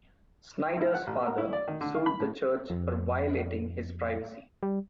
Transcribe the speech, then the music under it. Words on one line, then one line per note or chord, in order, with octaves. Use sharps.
Snyder's father sued the church for violating his privacy.
E4
F#5
A1
A#4
E4
D5
D#3
D3
F5
B5
A2
F2
G3